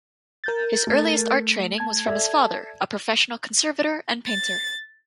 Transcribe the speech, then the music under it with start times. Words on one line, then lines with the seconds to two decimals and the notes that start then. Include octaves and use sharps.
His earliest art training was from his father, a professional conservator and painter.
0.44 A#4 G6 A6
0.87 A3
1.78 A5 G#6
2.06 A4 D5 E5
4.27 A6